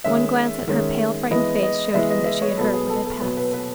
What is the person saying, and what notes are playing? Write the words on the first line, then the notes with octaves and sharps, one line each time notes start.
One glance at her pale, frightened face showed him that she had heard what had passed.
D#3 G#3 C#4 E5
D#3 G#3 C#4
E3 G#3 B3 D#5
D#5
E3 G#3 B3 E5
D#5
E5
C#5
B2 F#3 B3 A4
G#4
A4
A4
B2 F#3 B3 B4
B4
B4